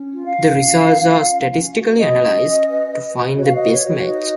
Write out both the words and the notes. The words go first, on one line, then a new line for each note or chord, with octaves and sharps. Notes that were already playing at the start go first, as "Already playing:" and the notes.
The results are statistically analyzed to find the best match.
Already playing: C#4
F4
F5
F4
C#4
F4
F4
C#4
C#4
F#4
F#4 D#5
C#4
C#4
B4
B4
B4
F#4 C#5
F5
D#5
B4
C#5
F#4
C#5
D#4 D#5